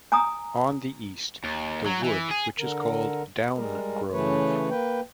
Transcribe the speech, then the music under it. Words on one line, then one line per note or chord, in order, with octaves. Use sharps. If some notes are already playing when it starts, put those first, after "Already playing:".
On the east: the wood which is called down-grove.
G#5 A#5 D#6
D#2
F#3
E3
G#4
D3 A#4
G3 G#3 A#4
C#3 E3 A3 B4 C#5
A#3 B4 G5